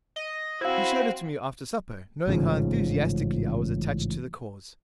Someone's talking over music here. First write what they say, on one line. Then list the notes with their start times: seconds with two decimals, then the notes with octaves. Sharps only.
He showed it to me after supper, knowing how enthusiastically I was attached to the Cause.
0.16 D#5
0.61 C4 E4 F#4 C5 F5
2.27 A1 G#2 C#3 F3